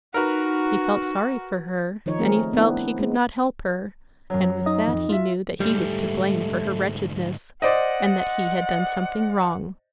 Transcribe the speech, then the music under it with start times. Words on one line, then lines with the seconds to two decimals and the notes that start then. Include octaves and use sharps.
He felt sorry for her, and he felt he could not help her, and with that he knew that he was to blame for her wretchedness, and that he had done something wrong.
0.14 D#4 F#4 A#4 B4
2.06 D#3 F3 D#4 C#5
2.19 A3 C4 G#4 A#4
2.53 B3 C4 D4 E4
2.99 G#3 B3
4.30 F#2 F#3
4.66 D#4 D#5
4.87 F2
5.09 F4 E5
5.60 D2 G#2 G3 A3
7.62 C5 D5 D#5 F#5